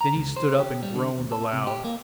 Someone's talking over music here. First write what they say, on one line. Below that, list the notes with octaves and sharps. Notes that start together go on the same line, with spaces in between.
Then he stood up and groaned aloud.
A#5
C#2
C5
G4
G3
D3
D#2
A4
C3
G4
A#3